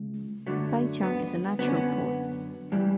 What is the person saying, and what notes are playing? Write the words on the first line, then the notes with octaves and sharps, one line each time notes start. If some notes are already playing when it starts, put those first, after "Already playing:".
Taicang is a natural port.
Already playing: C#2
F#2 D3 F#3 A3
B3
F#2 D3 F#3 B3
C#4
B3
G2 E3 G3